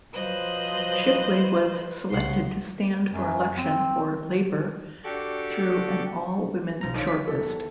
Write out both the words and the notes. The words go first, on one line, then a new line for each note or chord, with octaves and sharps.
Shipley was selected to stand for election for Labour through an all-women shortlist.
F3 F#3 B4 C5 D#5 F#6
C2 C#3 F#5 C6
F#2
C4
D4 F#4 G4 A4 C#6 D6
B1 F3 A#5
D3 D#3 F3 D#4 F4 C#5
B6
A4
E2 E5